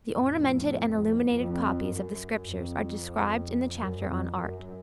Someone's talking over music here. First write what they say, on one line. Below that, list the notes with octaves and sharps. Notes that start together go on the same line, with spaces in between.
The ornamented and illuminated copies of the Scriptures are described in the chapter on Art.
F2 A2
F2
F#2
F2
F#2
F2
F#2